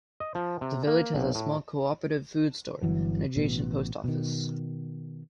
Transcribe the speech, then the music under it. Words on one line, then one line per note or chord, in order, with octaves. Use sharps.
The village has a small Co-operative food store, and adjacent Post office.
D#5
F3
C3
A#3
B1
A2
G1 E3 F#3
A1 B2
B2 D#3